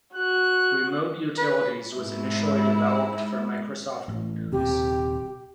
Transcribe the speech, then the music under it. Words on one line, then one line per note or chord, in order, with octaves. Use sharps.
Remote Utilities was initially developed for Microsoft Windows.
F#4 F#6
B4
G#2 E4
A1
D#1 C3 G4